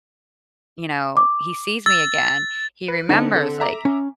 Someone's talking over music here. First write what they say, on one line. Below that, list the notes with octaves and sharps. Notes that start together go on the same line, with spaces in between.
you know, he sees me again, he remembers like,
D6
E6 A6
B4
D3 C4 D#4 D#5 A5
A4
E5 A#5 D6
C#4